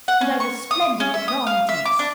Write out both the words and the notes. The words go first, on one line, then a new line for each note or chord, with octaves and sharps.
"And I was splendid at lawn tennis."
F#5
C#4
C#6
D#6
C#4
E5
D#6
F5
E5
D6
D4